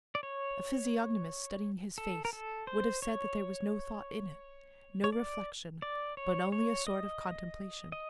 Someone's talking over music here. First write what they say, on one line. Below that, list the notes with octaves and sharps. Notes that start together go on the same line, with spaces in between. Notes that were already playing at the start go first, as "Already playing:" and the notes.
A physiognomist studying his face would have said that there was no thought in it, no reflection, but only a sort of contemplation.
D5
C#5
A4
A#4
A4
C5
C#5
C#5
D5
D5
C#5
C#5
D#5
D#5